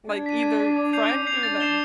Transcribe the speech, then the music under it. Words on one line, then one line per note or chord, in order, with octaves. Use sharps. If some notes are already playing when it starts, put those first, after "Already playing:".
Like either friend or them.
D4 G#6
B6 D#7
G#6
B6 D#7
D6
G6 C7 F7
C#4 D6
G6 C7 F7
D4 A6
C7 E7 G7